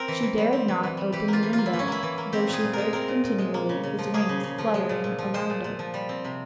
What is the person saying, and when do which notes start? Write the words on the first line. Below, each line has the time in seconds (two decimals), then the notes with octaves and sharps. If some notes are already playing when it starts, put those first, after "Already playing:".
She dared not open the window, though she heard continually his wings fluttering round it.
Already playing: C4 A#4
0.08 E3
0.22 E3
0.38 G3
0.53 C4
0.68 E3
0.83 E3
0.97 G3
1.13 E3 G4
1.28 A#3 F4
1.43 E3
1.53 F4
1.58 A#3
1.66 E4
1.73 E3
1.79 C#4
1.88 A#3 E4
2.03 E3
2.18 A#3
2.33 C4 G4
2.48 A#2 G#4
2.63 A#2
2.73 G#3 A#4
2.93 C4 A#4
3.08 A#2
3.24 A#2
3.38 G#3
3.54 A#3
3.69 C#3
3.83 C#3
3.99 F3
4.14 A#3 G#4
4.29 C#3
4.44 C#3
4.58 F3
4.74 G#3
4.89 A#2
5.04 A#2
5.19 F3
5.34 G#3 C5
5.50 A#2
5.64 A#2
5.79 F3
5.94 G3
6.09 C4
6.25 C3